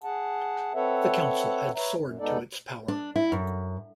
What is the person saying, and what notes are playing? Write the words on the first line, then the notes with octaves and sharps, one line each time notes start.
The Council had soared to its power.
G#4 F#5 A5
C4 A4 B4 C#5 E5 F#5
B4 C#5 E5 A#5
F#2
E2 G#3 B3 D#4 A4 D5
D4
E4
F#2